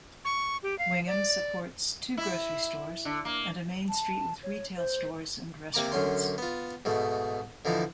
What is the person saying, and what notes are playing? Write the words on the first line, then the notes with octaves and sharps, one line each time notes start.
Wingham supports two grocery stores, and a main street with retail stores and restaurants.
C#6
G4
F5
D5
E4
D3
A#3
A5
C#5
C5
C3 A#3 A#5 D6
F#2 D3 C#4 C6
B3 F4
G#2 B2 A3
D3 E3 F3 D#4